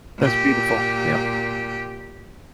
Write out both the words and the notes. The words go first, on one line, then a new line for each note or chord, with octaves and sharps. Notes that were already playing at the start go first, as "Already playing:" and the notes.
That's beautiful, yep.
A#2 G4